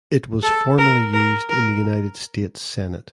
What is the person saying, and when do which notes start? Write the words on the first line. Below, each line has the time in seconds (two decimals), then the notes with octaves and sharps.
It was formerly used in the United States Senate.
0.43 A4
0.78 A#4
1.13 A#4
1.49 A#4